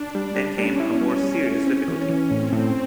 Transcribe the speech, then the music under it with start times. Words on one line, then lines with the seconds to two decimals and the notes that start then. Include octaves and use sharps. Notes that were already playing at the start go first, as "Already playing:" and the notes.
Then came a more serious difficulty.
Already playing: D4
0.15 G3
0.36 G3
0.57 G3 C#4
0.80 E4
1.01 G3
1.23 G3
1.44 E4
1.67 C4
1.88 E3
2.09 E3
2.31 A2 C4
2.53 A2